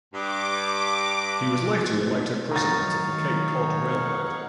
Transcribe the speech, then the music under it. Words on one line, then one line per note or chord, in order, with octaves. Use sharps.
He was later elected president of the Cape Cod Railroad.
G2 D6
D#3 F#3 D#4 C#5 F5 A#5 A6
F#5 C#6